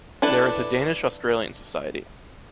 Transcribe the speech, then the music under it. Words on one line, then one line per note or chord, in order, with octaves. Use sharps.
There is a Danish-Australian Society.
D4 E4 A4 B4